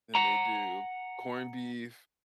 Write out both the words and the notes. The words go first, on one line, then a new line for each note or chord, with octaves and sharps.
And they do corned beef
F#5 A#5